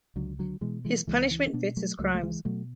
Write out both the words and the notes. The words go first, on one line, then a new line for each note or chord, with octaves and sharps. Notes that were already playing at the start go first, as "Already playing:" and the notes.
His punishment fits his crimes.
C#2 D3 F#3
D3 F#3
B2 E3 G#3
E3 G#3
C#2 E3 G#3
E3
C#4
B2 B3 D4
F#3 A3
C#2 F#3 A3
A3
E3 G#3
B2 F#3 A3